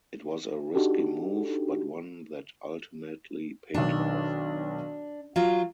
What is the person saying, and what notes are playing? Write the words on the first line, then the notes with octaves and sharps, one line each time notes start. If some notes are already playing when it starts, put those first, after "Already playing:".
It was a risky move, but one that ultimately paid off.
D4 D#4 F#4 G4 A4
B1 D#3 D4
F#3 F4 F5